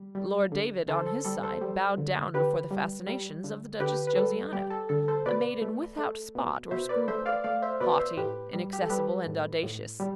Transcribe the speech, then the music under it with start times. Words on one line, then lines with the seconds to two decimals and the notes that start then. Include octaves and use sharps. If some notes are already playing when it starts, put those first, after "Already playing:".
Lord David, on his side, bowed down before the fascinations of the Duchess Josiana--a maiden without spot or scruple, haughty, inaccessible, and audacious.
Already playing: G3
0.15 G3
0.52 D3
0.88 D3 A4 C5
1.06 A4
1.25 G3 A4
1.43 A4 C5
1.61 G3
1.98 D3
2.34 D3 G4 B4
2.71 G3
3.07 G3
3.44 D3
3.80 D3 G4 B4
4.07 B4
4.16 G3 A4
4.53 G3 G4
4.70 A4
4.89 D3 A4
5.08 A4 C5
5.26 B2 B4 D5
5.62 A3
5.98 A3
6.35 B2
6.71 B2 C5 E5
6.89 B4 D5
7.08 A3 C5 E5
7.26 D5 F5
7.44 A3 D5 F5
7.62 C5 E5
7.80 B2 B4 D5
7.99 C5 E5
8.17 A2 G4 B4
8.53 G3
8.73 G4
8.82 A4
8.90 G3 G4 B4
9.27 A2
9.63 A2
10.00 G3